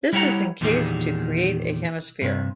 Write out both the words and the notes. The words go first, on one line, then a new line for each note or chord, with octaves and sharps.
This is encased to create a hemisphere.
G3 E4 G4 C#5 F#5 A#5
E2 A#2 D#3 G#3 G4 G#4
G2 C3